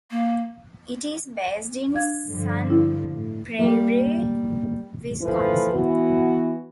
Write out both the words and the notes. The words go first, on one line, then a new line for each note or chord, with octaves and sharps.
It is based in Sun Prairie, Wisconsin.
A#3
D4 F5 G#6
G2 D3 F3
E4
A2
G3 A#3
D#2 E3 F3 A4 B4
E3 B3 F#4